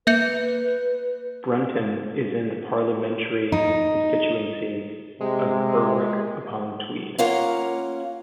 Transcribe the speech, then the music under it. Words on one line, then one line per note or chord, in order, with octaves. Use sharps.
Brunton is in the parliamentary constituency of Berwick-upon-Tweed.
A#3 B4 E5 G6 C#7
D#4
C3 G#3
A#3 C#4 F4 A#4 F#5